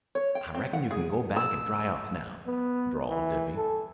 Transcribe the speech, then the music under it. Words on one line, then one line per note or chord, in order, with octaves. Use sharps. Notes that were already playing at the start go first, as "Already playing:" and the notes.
"I reckon you kin go back and dry off now," drawled Dippy.
C#5
G5
C4
F#5
G#4
E6
B3
E3
A4